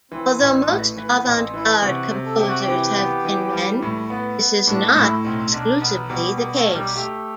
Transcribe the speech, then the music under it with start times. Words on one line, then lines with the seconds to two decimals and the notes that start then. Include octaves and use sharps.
Although most avant-garde composers have been men, this is not exclusively the case.
0.11 E3 C4
0.40 A1 C4
0.68 A2 B4
0.96 E3 B4
1.25 A1 C4
1.54 E3 E4
1.82 C3 F#4
2.11 C3
2.25 A4
2.36 C3 G4
2.48 F#4
2.60 G4
2.68 E3
2.96 B3
3.25 E3
3.53 G3
3.82 A2
4.10 B3
4.39 B3
4.67 A2 D4
4.95 A2 E4
5.24 B1 C4
5.52 B1 D4
5.81 B1 B3
6.09 B2 G3
6.32 G3
6.38 B2
6.53 A3
6.67 B1
6.73 G3
6.95 A3 G4